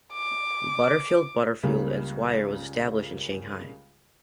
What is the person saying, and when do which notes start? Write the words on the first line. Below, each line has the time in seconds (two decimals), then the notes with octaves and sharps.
Butterfield, Butterfield and Swire was established in Shanghai.
0.13 D6
1.63 C#2 C#3 G3 A#3